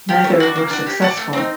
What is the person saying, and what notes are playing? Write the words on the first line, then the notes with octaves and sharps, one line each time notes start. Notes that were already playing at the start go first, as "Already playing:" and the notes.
Neither were successful.
G4 A#4
A3
D4 F#4
A#3
D4 F#4
G4
D5 F#5 A5
A3
C4 D#4